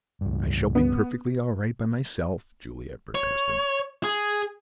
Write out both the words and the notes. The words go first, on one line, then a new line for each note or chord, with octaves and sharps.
"I shall be perfectly all right by myself," Juliet protested.
C#2 G2
B3
C#5
G#4